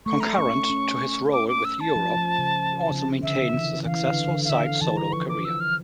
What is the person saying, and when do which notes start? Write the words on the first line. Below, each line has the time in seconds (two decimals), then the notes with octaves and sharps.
Concurrent to his role with Europe, he also maintains a successful side solo career.
0.06 A3 C#6
0.20 A#5
0.34 C#4 C#6
0.70 C#4
1.33 D6
1.48 D6
1.65 E6
1.80 A5
1.96 F3
2.17 F3
2.39 C#3
2.91 C#3
3.23 D3 E5
3.54 E3
3.86 E3 F5
4.08 D3
4.28 D3
4.44 F5
4.50 D3 E5
4.65 F5
4.81 E3 A5
4.97 A#5
5.13 F3 C#6
5.29 D6
5.45 E6
5.60 F6